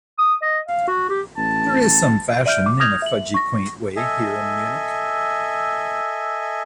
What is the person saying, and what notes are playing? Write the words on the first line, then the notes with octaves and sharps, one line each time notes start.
There is some fashion, in a fudgy quaint way, here in Munich.
D#6
D#5
F5
F#4
G4
A1 A5
D5 E5 F6 G6 D7
D6
D#6 F6 G6 G#6 A#6 F7
E5 F#7
C#6 A#6
A4 D#5 E5 G#5